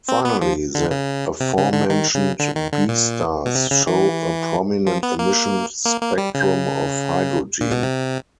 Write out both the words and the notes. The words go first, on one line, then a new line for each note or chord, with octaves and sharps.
Finally, the aforementioned Be stars show a prominent emission spectrum of hydrogen.
C4
B3
F3
D3
C#3
C3
C#3
D3
D#3
C#3
D3
D#3
D3
A#2
B2
C3
C#3
E3
F3
B3
A#3
A#3
A#3
G3
C#3
A#2
B2
C3